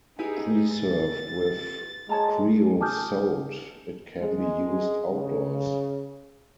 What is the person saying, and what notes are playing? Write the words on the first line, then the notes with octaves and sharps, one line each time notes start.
Preserved with creosote it can be used outdoors.
D#4 E4 G4 G#4 B4 G#5
A6
G#3 C#5 A5 A#5
G#5 A5 D6 D#6 F6 G6
G#3
C#3